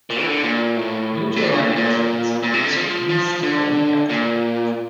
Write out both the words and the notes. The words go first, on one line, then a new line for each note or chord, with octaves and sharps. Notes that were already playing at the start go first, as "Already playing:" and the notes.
Due to lack of evidence, he is released a week after.
A#2
E3
D3
A#2
A2
C3
A#2
D3
A#2
A2
A#2
A#2
C3
D3
F3
F3
D3
A#2